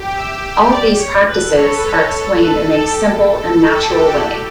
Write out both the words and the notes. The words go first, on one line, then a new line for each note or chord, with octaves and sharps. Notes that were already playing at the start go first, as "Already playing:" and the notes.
All these practices are explained in a simple and natural way.
Already playing: G4
E5
D5
C#5
A4 B4
B4 C#5
A4 C#5
A4
A4 B4
G4 A4
B4
A4
G4
F#4
E4 G4